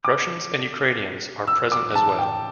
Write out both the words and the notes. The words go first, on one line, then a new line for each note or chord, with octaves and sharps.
Russians and Ukrainians are present as well.
D6
E6
D6
A5
G5